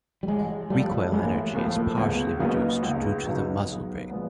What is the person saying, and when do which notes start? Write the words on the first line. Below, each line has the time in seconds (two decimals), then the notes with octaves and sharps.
Recoil energy is partially reduced due to the muzzle brake.
0.23 G3
0.28 A1 G#3
0.70 A2 F3 G3 A3
1.12 A1 G#3
1.24 A#3
1.34 A3
1.55 A2 F3 A3 A#3
1.76 A#3
1.98 C#2 B3
2.40 C#3 F#3 A#3 B3 D#4
2.83 C#2
3.25 C#3 F#3 B3 D#4
3.68 B1
4.09 A#2 F3 G#3 B3